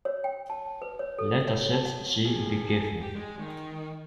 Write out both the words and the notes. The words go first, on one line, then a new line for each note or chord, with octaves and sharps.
Let a set "C" be given.
C#5
G5
A5
A5
B4
C#5
A4
C#5
A5
F#5
G#4 A4
G4
G#3
D#3